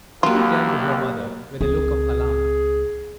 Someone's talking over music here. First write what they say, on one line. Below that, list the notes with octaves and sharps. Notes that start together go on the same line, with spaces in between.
Kitty turned to her mother with a look of alarm.
A1 D#2 F#3 A#3 F4 G4
C#2 C4 G#4